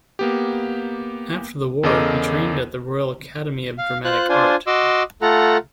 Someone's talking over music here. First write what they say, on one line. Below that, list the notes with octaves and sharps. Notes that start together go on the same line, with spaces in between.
After the war he trained at the Royal Academy of Dramatic Art.
A#3 B3 G4
E2 C#3 A4 A#4 D#5 D6
F5
F4 C5 F#6
D4 F4 C5 G#5
F#4 D#5 C6 D6 E6
A3 F4 A4 F#5 A#5